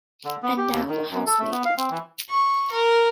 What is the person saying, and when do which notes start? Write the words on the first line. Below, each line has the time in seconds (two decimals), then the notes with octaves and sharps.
And now I'm a housemaster.
0.25 D3
0.43 B3
0.57 G4
0.71 D#2
0.89 D#3
1.10 F#2
1.26 A4
1.39 A3
1.51 B3
1.65 F5
1.77 C4
1.90 E3
2.29 C#6
2.71 A#4